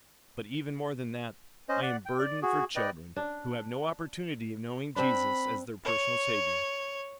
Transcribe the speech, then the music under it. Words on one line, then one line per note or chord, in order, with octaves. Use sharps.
But even more than that, I am burdened for children who have no opportunity of knowing Jesus as their personal Savior.
C#4 C5 D#5
D5 F#5
G5
D5
F#4 G#4
B4 D5 D#5 G5
D4
C4 D4 B5
C#5